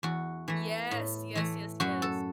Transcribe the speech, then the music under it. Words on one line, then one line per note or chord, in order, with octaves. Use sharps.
Yes, yes, yes, yes.
E2 F#4
E3 A3
A2
E3 A3
F#2 F#4
A4